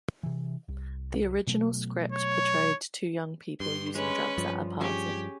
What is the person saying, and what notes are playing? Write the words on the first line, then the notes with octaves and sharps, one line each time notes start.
The original script portrayed two young people using drugs at a party.
C3 E3
C2
B2 F#3 A3
C#5
G2 C6
G#3 C#4 B4
G2 F3
C#4 G4 G#4 C#5